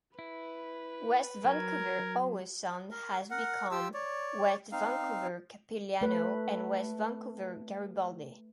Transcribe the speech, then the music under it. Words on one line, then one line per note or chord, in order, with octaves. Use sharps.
West Vancouver-Howe Sound has become West Vancouver-Capilano and West Vancouver-Garibaldi.
E4 B4
F#3 A#4 G#6
A#4
A#4 F#5
F4 G4 E6
C#5 D5
C4 D#4 F5
A3 B4